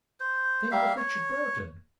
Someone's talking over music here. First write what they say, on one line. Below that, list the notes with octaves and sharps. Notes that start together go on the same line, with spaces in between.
Think of Richard Burton!
C5
G3 A#3 E5 F5
C#5